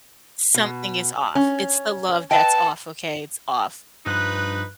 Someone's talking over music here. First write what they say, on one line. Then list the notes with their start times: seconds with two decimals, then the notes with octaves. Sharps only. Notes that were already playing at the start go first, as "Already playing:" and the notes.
something is off. It's the love that's off, okay, it's off,
0.55 B2
1.35 C#4
2.31 B4 D#5 G5 A5
4.06 G2 F3 D#4 B4 F#6